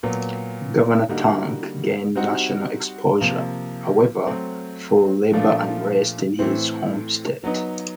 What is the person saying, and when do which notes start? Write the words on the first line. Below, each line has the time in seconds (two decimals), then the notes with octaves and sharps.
Governor Tuck gained national exposure, however, for labor unrest in his home state.
0.03 A#2 F#3 B3
1.08 D3 G3 A#3 D#4 F#4
2.15 G3 C4 D#4 F#4
3.20 C3 F3 A#3
4.26 F#3 A3 C4
5.33 A#2 F3 A3 D4 F4
6.39 A2 E3 A3 C4
7.44 F#3 B3 D#4